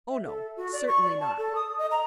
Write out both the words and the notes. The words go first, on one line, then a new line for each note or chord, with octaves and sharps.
"Oh, no, certainly not!"
E5
A4
F#4
D5
C#6
D5
A5
A4
D#6
D#5
A#5